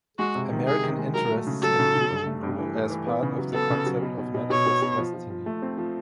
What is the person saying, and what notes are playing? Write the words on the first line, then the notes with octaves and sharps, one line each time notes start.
American interests in the region grew as part of the concept of manifest destiny.
G#3 F#4
C3
D#3
C3 G#4
D#3
G#3
F#3 A#4
A3
C#3
F#3 A4
C#3
C#3
G2
A3
G2
E3
A3
E3
B3
C#3
F#3
B3 A4
C#3
F#3
B2
B2
B2
B2 C#5
B2
B2
F3
F3
F3
A3
C4
F3